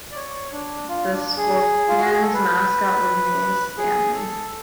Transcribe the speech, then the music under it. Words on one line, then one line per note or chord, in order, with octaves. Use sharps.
The Scorpions' mascot was named Stanley.
D5
C#5
D4
F4
D4
G#4
F4
F#4
G#4
A4
B4
G#4
A4